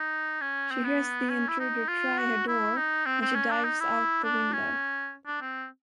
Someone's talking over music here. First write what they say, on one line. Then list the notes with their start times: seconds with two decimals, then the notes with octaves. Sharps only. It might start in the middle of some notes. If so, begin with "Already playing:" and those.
She hears the intruder try her door, and she dives out the window.
Already playing: D#4
0.41 C#4
0.71 C4
0.85 B3
1.30 C#4
1.48 E4
1.60 D#4
1.88 F4
2.18 F#4
2.48 E4
2.77 D#4
3.06 C4
3.21 C4
3.35 C#4
3.51 D4
3.65 D#4
3.80 E4
4.23 D4
4.53 C#4
5.27 D4
5.41 C4